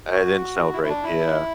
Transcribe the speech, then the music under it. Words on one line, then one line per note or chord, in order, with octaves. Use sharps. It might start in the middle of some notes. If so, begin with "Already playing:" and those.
I didn't celebrate, yeah.
F#4
E4
E4
D4
E4